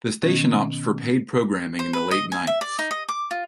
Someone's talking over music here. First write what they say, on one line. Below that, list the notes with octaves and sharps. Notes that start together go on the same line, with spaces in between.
The station opts for paid programming in the late nights.
B2 D#3 B3 C#4 G#6
C5
B4
D#5
G#5
E5
D5
D#4
D#5
D6
F4